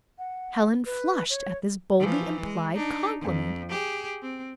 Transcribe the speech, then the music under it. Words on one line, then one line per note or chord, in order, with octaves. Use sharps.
Helen flushed at this boldly implied compliment.
F#5
B4
C#5
E3 F3
G#3
D4 D#4
F2
G4 G#4
C4